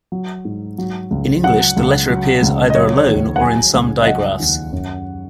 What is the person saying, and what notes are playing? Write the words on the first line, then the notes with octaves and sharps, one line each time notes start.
In English, the letter appears either alone or in some digraphs.
F#3
G#2
F#3
C#2
F#3 F#5
C#2
F#3
C#2
D#5
F#3 C#5
C#5
D#2
F#5
F#3 G#5
C#2
D#5
F#3 F#5
D#2
F#2